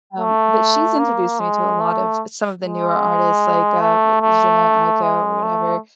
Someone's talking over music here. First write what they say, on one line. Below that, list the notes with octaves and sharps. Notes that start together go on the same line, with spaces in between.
um but she's introduced me to a lot of some of the newer artists like, uh, Jheńe Aiko, or whatever.
A3
A#3
G#3
A3
G#3
A3
A3
G#3
A3